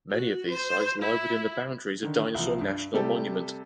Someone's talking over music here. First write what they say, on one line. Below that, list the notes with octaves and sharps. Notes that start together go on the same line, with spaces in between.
Many of these sites lie within the boundaries of Dinosaur National Monument.
F#4
C5
E4
D3 D#3
C2 F3
G2
C3 G3 A3 G4 A4